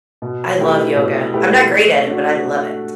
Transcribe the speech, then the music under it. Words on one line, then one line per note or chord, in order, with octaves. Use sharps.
I love yoga. I'm not great at it, but I love it.
B2
A3 E4 G4 B4
B2
A3 E4 G4 B4
A3
D4 F#4
A3